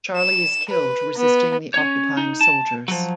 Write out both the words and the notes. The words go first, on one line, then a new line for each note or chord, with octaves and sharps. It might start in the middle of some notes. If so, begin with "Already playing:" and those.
Charlie is killed resisting the occupying soldiers.
E7
B4
B3
C#4 C#5
D#4
A5
F3 F#3